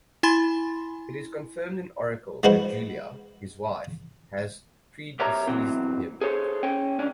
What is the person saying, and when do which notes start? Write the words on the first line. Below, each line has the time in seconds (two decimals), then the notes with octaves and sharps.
It is confirmed in "Oracle" that Julia, his wife, has predeceased him.
0.23 E4 G#5 B5 C6 A6
2.43 F3 G#3 E4 F#4 B4 C5
5.19 B1 G4 A#4 C#5 E5 A#5
5.47 B2 E3 F#3 C4
6.21 G#4 A4 C5 C#5
6.63 C#4 C#5 G5
6.99 C#2 C#4 D4